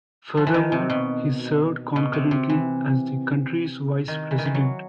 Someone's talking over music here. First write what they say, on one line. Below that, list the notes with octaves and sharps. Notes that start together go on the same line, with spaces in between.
Furthermore, he served concurrently as the country's vice president.
F3
E3
D#3
C3
B2
B2
C3
C3
E3
D#3
E3
D#3
E3
F#3